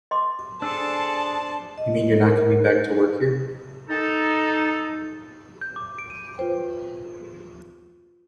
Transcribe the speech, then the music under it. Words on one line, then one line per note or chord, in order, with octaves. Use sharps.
You mean you're not coming back to work here?
D#5 C6 D6
D4 G#4 A4 C5 D5 A5 E6
D#5
A#4
D#4 A4
G6
D6
D7
D#7
F4 B4 C5 G5